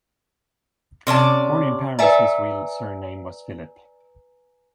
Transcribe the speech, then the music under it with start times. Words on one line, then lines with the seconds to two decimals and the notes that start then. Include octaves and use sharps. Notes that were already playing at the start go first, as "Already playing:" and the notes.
Born in Paris, his real surname was Philippe.
1.07 C3 C#4 D5 A5
1.99 B4 D5 E5 G#5 A#5